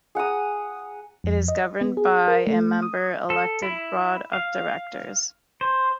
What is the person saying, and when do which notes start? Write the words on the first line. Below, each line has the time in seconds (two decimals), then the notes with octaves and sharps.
It is governed by a member-elected board of directors.
0.15 G#4 F#5 A#5 D#6
1.24 F2
1.48 D#5
1.81 B3
1.97 G#4
2.28 A#4
2.47 A3
2.82 D#6
3.30 A4
3.62 E4
4.33 F5
5.61 C5